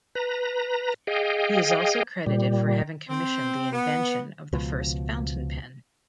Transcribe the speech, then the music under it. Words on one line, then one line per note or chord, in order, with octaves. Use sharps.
He is also credited for having commissioned the invention of the first fountain pen.
B4 A#5
G#4 D#5 F5 G5
A#2 G3
C4
B3
C#2 B2 F3